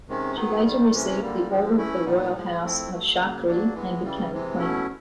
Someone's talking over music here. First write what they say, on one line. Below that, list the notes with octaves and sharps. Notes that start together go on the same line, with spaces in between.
She later received the Order of the Royal House of Chakri, and became queen.
C3 D#3 G#3 C#4
D#3 F#3 B3 D#4
C3 D#3 G3
C3 E3 G#3 C#4
D3 G3 A#3
D3 F3 G#3
E3 A3 C#4 E4
A#2 G3 B3 D#4
A2 F3 G#3
F3 A3 C4 E4
D3 F#3 A3
C#3 F#3 A#3
F#3 A#3 D4
E3 G#3 B3
C#3 E3 G3
C3 E3 G#3
B2 F#3 A3 C#4 E4